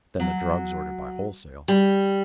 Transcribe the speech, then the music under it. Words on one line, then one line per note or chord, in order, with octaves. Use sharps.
Then the drugs ordered by wholesale.
F#3
G3